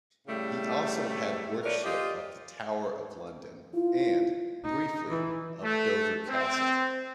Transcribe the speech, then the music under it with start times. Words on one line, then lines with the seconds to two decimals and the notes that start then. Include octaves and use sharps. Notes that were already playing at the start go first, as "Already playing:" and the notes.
He also had wardship of the Tower of London, and, briefly, of Dover Castle.
0.27 A2 C#3 G3 A3
1.63 F3 A#4 B4 C#5 D5
1.83 F4 G4 C5 D5 D#5
3.74 E4 F4
4.64 D#4
5.10 E3
5.63 A3
6.28 C4